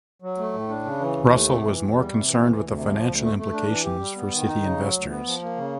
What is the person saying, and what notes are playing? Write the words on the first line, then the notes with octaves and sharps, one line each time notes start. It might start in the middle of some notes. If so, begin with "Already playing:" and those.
Russell was more concerned with the financial implications for City investors.
F#3
A3
A2
D4
C#3
E3
D#2
A3
C3
E3
E2
G3
C3
E3
D2
D2
C3
F3
D2
A3
A3
D4
E3
G4
G3
B3
D#3
D#4
C#3
F#3
D2
B3
F3
A#3
C#3